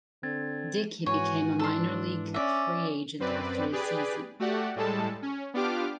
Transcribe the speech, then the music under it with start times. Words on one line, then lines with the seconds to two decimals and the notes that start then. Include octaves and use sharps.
Dickey became a minor league free agent after the season.
0.23 D3 C4 G#6 A6
1.06 G#2 E3 F#4 C#5 G#5
1.59 D4 A4 C6
2.34 C#4 D5 E5
3.20 F#2 C4 B4 D5
3.72 G4 G#4 B4 D5
4.40 A3 F#4 G4 D5 F#5
4.76 A2 G3 G#3 A4 A5
5.22 C#4
5.54 B3 D4 F4 G4 D6 F6